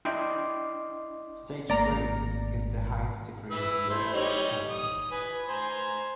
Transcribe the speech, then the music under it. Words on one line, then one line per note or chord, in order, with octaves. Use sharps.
Stage three is the highest degree of load shedding.
D4 E4 D#5 G5 C6 D6
G#1 A3 A#3 D5 A#5
B4 E6
A3 E4 C5
G3 D#4 C#5
D#6
B4 G#5
C5 G#5 A#5